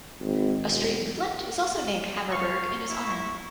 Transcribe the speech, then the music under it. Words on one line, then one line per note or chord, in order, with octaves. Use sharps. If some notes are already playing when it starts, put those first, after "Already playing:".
A street in Flint is also named Hammerberg in his honor.
G#1
E1
F5 C#6
E4